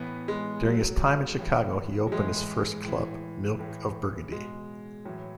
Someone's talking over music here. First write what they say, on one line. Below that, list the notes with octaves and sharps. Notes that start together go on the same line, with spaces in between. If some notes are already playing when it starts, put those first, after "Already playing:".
During his time in Chicago he opened his first club, Milk of Burgundy.
Already playing: A2 E3 B3
G#3
B2 F#3
A2 E3
F#3
A2 E3 G#3
A2 E3
A2 E3
B2 G#3
A2 E3 F#3